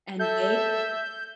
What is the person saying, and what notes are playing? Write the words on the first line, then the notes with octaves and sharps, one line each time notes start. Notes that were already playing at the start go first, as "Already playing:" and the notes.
And they,
A4 E5 G6